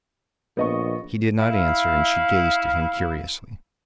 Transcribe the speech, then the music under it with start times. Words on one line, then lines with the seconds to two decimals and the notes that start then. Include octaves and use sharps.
He did not answer, and she gazed at him curiously.
0.57 A#1 B3 D#5 C#6
1.39 E4 F5